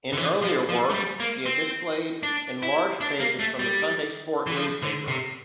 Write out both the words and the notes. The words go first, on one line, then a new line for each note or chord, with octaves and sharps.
In earlier work, she had displayed enlarged pages from the "Sunday Sport" newspaper.
D3
E3
F3
F3
A3
G3
A#3
C4
D4
E4
D4
A#3
A3
G3
E3
F3
D3
C3